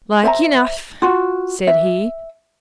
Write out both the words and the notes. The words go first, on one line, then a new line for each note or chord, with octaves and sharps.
"Like enough," said he.
C5 E5 A#5
F4 F#4
E5